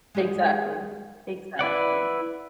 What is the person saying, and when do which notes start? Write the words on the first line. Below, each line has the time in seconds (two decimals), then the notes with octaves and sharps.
Exactly. Exactly.
0.15 G#3 G4 G#4
1.59 E4 B4 D5 F#5